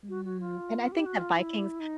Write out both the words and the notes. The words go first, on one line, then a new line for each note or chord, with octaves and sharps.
Mm, and I think that Vikings
F#4
F#4
F4
G4
F#4
F4
E4
D#4